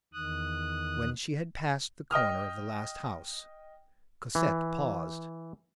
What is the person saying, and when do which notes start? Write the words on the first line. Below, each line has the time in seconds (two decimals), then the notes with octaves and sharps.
When she had passed the corner of the last house, Cosette paused.
0.13 E2 D#3 D#6 F#6
2.11 D#5 G5 D#6 F6
4.35 E3